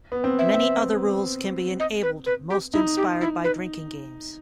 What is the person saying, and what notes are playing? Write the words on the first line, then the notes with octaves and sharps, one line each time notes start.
Many other rules can be enabled, most inspired by drinking games.
B3
C4
E5
C4
D#5
B4
B4
G4
D#4 E4
G4
E4
B4